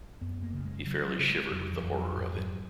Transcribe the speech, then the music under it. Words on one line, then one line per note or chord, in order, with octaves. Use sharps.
He fairly shivered with the horror of it.
F#2 B3
A#3
C#3
G#3
C#3 F#3
F#3
C#3
G#3
F2 F#3
F3
F2
F3
F#3
G#2
F#3